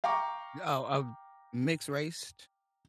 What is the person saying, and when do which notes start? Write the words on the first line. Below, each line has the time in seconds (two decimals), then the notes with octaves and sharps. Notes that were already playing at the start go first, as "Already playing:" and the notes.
Oh, um, mixed raced?
0.04 F5 G5 A#5 C#6 D6